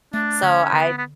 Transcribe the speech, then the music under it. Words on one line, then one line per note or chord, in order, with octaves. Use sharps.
so I
A3 D4
D3 C#4
D3 B3
B3